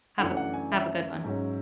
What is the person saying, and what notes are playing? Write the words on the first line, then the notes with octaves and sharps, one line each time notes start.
Have a have a good one.
F#2 E3 A3 D4 F#5
F#5
G#5
E5
G#2 F#3 C#4